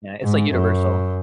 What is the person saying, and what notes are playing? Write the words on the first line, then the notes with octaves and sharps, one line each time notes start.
Yeah, it's like universal.
G#2
F#2